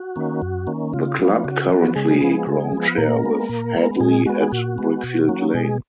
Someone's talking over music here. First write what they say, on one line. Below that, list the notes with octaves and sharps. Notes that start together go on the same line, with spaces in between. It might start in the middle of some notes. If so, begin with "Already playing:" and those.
The club currently groundshare with Hadley at Brickfield Lane.
Already playing: F#4
D#3 A#3 C#4
F#2
D#3 A#3 C#4
C#3 F4
F3 B3 F4
C#3 F#4
F3 B3 F#4
C#3 G#3 G#4
F3 B3
C#3
F3
B3
A#2 A#3 A#4
G#3 B3
A#2
G#3 B3
A#2 G#3 G#4
G#3 B3 F#4
G#4
A#2 F#4
G#3 B3
B2
F#3 A#3 C#4
B2 G#3 G#4